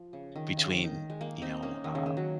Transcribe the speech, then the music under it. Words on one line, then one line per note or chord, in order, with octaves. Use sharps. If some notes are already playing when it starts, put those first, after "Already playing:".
between, you know, um,
Already playing: F3
C#3
D#3
C#3
D#3
D#3
G#3
A#3
C4 D#4
A#3 C#4
D#3
C#3
D#3
F#3